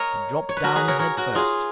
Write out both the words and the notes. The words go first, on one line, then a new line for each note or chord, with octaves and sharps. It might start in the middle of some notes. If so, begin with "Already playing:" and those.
He dropped down head first.
Already playing: A#4 C#5 D#5
C#5
B4
F#4 A#4
G#4 B4
A#4 C#5
A#4 C#5
F#4 A#4
F4 G#4